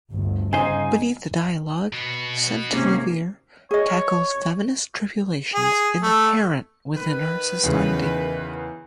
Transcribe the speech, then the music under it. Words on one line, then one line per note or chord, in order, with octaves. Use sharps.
Beneath the dialogue Centlivre tackles feminist tribulations inherent within her society.
G1 D2
G2 C#3 D#4 C5 G#5 C7
B2 B3
G#1 C3 A#3 C#4
G#4 C#5 D#5
G#4
A3
D#3 B4
E2 C#3